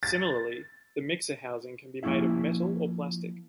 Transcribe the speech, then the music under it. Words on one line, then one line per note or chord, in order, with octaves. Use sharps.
Similarly, the mixer housing can be made of metal or plastic.
A6
F3 A#3 C#4 E4 E5